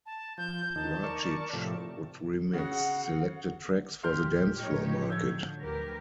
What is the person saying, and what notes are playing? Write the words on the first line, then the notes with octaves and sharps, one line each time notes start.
Racic would remix selected tracks for the dance floor market.
A5
F3 G6
D#2 D#3 A5
A#4 D5 C#6
A2 C3 F3
C#3 F#4 F#5
A#2 G4 C6 F6 G6
A2 F3 D#4 G4 C#5
D3 F#3 E6 G6 G#6
D2 G4 A#4 B4